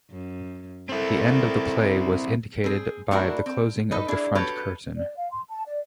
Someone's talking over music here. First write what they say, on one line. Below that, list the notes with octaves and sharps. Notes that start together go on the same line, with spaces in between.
The end of the play was indicated by the closing of the front curtain.
F#2
C4 E4 A4 A#4
C4 G#4
A3 C4 D4 E4 F#4 A#4
C4
D#4 A4 B4 D#5
D4 E4 G#4
F#4 G4 A4 B4 C#5
D5
F5
C6
A5
D5